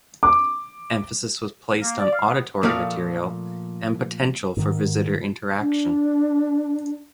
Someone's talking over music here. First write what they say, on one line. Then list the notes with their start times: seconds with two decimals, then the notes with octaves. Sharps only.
Emphasis was placed on auditory material and potential for visitor interaction.
0.23 D6
1.80 A#3
1.98 D5
2.12 F5
2.28 B3
2.63 A#2 F3 A3 F5
4.57 G#2 D#3
5.60 D4